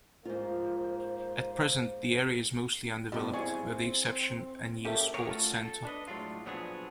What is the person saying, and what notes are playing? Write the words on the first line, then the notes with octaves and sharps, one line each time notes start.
At present the area is mostly undeveloped, with the exception a new Sports Centre.
G#2 A#3 F4 C5
G2 B2 F3 G3 F4
C4 E4 G#4 D5 G#5 C#6
A#3 C#4 G4 A4 A#4 E5
B3 G4 G#4 A#4 C#5
A3 C#4 F4 F#4
A4
D4 B4 D#5
A2 F#3 G#3 D4 F4
A#2 F3 F#3 B3 D4 G#4